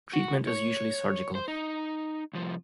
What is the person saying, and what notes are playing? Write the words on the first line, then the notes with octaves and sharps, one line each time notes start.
Treatment is usually surgical.
F#4
C#5
C5
D#4
C2 F3